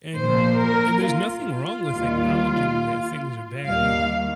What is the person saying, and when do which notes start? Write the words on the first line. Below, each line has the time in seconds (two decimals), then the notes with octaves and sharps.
and and there's nothing wrong with acknowledging that things are bad, either.
0.16 A#2 F3 C5
0.60 A#4
1.04 F4
1.47 F4
1.91 D#2 D#3 G3
3.66 D#2 D#3 G3 F5